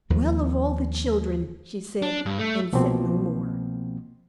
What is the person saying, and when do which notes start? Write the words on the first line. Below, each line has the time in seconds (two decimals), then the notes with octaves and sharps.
"Well! of all the children!" she said, and said no more.
0.10 D#2 D#3 F3
2.02 D4
2.26 G2
2.39 A3
2.72 C2 B2 F3 A#3 C4